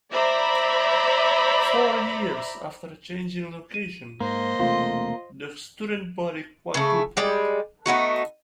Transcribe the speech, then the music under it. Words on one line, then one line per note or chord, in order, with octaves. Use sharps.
Four years after changing locations, the student body quadrupled.
C5 D5 E5 A#5 B5
D#7
G#2 A#3 C5 D#5
E1 C3 A3 F4 F5 C6
C#3 A3
G3 G#3 D5
A3 B3 D#4 F#4